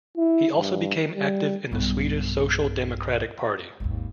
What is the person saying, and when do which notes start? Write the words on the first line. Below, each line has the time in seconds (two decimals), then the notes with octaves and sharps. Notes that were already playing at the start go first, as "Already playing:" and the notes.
He also became active in the Swedish Social Democratic Party.
0.17 E4
0.55 G2
1.15 G3
1.72 B1 G2
3.80 G#1 D#2